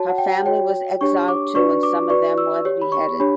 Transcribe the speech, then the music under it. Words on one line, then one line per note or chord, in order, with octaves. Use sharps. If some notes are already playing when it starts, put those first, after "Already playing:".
Her family was exiled too and some of them was beheaded.
Already playing: F#4 C#5 A5
F#5
G5
F#4 C#5 G5
D4 G4 C#5 C#6
D6
D4 F#4 B4 D5 C#6
D6
F#4 B4 D5 C#6
E6
G4 C#5
B5
C#6
D4 G4 C#5 B5